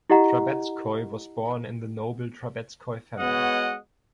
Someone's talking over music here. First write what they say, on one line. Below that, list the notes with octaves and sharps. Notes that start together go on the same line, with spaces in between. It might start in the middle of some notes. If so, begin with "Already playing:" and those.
Trubetskoy was born in the noble Trubetskoy family.
E4 G4 D#5 F#5 A#5
G#3 B3 F#4 C#5 D#5 F#5